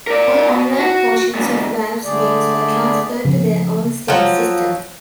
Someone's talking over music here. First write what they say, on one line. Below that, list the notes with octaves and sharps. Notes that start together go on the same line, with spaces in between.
All online portions of Valve's games were transferred to their own Steam system.
A#4 D5
B2
F#4
E2 G#2
D3 A3 G#4 D5
C#3 F3
F3 F#3